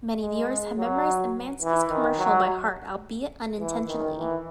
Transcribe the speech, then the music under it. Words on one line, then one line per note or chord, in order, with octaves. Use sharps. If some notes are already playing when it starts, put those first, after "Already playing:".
Many viewers have memorized Emanski's commercial by heart, albeit unintentionally.
G#3
F#3
E3
D#3
F#3
E3
D#3
E3